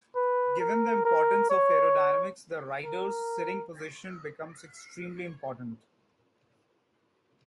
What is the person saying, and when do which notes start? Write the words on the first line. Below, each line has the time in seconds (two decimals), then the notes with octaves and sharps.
Given the importance of aerodynamics, the riders' sitting position becomes extremely important.
0.16 B4
0.60 A#4
1.05 A#4
1.50 C#5
2.84 A#4